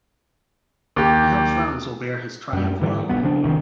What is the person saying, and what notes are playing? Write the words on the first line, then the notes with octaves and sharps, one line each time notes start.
I hope Franz will bear his triumph well.
D#2 G4
F#2 G3
G#2 D3 E3 G3
E1 B1 G2 B3
C#3 F3 D4
E1 C2 C3 D#3